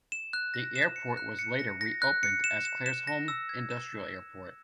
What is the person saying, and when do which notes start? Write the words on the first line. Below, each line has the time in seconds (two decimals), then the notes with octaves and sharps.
The airport was later reopened as Claresholm Industrial Airport.
0.12 E7
0.33 F#6
0.54 A#6
0.76 E7
0.96 C#7
1.17 F#6
1.39 C#7
1.59 A#6
1.81 A#6
2.02 F#6
2.23 C#7
2.44 E7
2.65 E7
2.86 E7
3.07 A#6
3.28 E6
3.49 G#6
3.70 E7